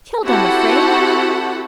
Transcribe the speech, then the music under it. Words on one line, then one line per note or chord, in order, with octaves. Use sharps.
Killed, I'm afraid!
C4 E4 F#4 G4 A4 F#5